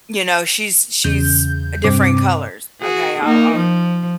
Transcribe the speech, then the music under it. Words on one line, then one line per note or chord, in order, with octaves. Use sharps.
You know, she's she's different colors, okay, I'll I'll
E2 C#3 G6
G2 C3 C4 D6
F#4 G#4
A#3 D#4
F3